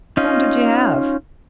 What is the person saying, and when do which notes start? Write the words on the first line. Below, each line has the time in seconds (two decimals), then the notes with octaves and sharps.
Whom did you have?
0.17 C#4 D#4 F4